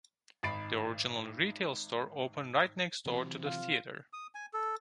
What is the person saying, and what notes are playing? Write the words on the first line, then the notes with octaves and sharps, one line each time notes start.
The original retail store opened right next door to the theatre.
G#1 D#4 B5 A6 C7 D7
C3 E3 F#3
F4
D#6
G#5
A4